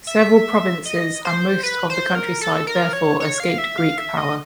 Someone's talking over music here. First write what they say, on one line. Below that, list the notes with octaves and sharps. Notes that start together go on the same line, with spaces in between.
Several provinces and most of the countryside therefore escaped Greek power.
E5
D#5
C5
B4
C5
A#4
A4
A#4
C#5
C#5
F5
E5
F5
E5
D#5